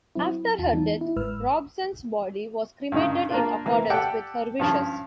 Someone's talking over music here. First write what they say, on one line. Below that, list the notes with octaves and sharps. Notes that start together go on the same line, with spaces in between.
After her death, Hobson's body was cremated in accordance with her wishes.
F#3 C4 E4
E2 F4 A5
E3 B3 D#4
E4
G#1 G#2 B4 E6 F6
G2 C#3 D#4
A#3 D4 F4
C3 E3 A#3
G4 A4 D5 F#5 G5
G2 F3 C#4